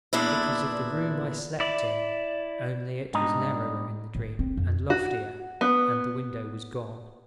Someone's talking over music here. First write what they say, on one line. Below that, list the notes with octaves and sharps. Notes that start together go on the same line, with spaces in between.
It was of the room I slept in, only it was narrower in the dream, and loftier, and the window was gone.
E2 A#2 D4 E4
E4 D5
G#2 B2 G3 D4 D#5 A#5
A2
C4
F2
F#4
B3